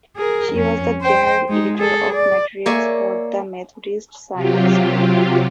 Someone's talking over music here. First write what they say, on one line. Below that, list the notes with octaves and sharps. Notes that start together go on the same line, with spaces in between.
She was the general editor of materials for the Methodist Sunday School.
G#4 A#4
F2 C#4
C5 G5
G#3 D#4
G#4 A4
D5
A#3 C#5 D5 E5 G#5
C3 F#3 F4 G4